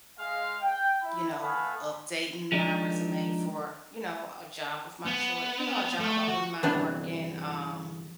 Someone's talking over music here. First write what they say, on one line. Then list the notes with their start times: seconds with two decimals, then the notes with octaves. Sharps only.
you know, updating my resume for, you know, a job of my choice, you know, a job I wouldn't mind working. Um,
0.19 G#3 F5
0.62 G5
1.03 E4
1.42 A3 B3 A4 F5 G#5 B5
2.52 F3 G#3 D4 D#4
5.06 B3
5.99 A3
6.28 F#4
6.63 E2 G2 C3 B3 D4